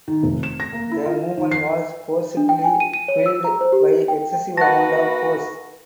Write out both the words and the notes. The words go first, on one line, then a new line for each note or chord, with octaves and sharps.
The movement was forcibly quelled by excessive amount of force.
D#3
F1
E7
A#6
A#3
E4
F4
D#3
C7
D4
G5
G#5
D#7
D#7
C#5
E6
A#5
C5
G4
G5
A#3 F#4 B4 F#5 A5 A#6